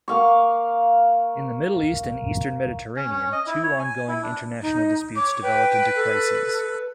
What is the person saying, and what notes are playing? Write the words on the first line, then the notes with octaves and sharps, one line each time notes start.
In the Middle East and eastern Mediterranean, two ongoing international disputes developed into crises.
A#3 F5 C#6
C#4
C#4
D#5
E4
C#5
G#5
E4
D4
D#4
C#5 D6
B4 G5
A4